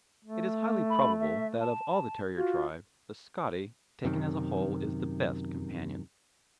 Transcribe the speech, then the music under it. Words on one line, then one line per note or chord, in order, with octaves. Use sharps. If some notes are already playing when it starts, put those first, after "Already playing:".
It is highly probable that of all the terrier tribe, the "Scottie," taken as a whole, is the best companion.
A3
B5
E5
A5
F4 F#4
F#2 C3 D#3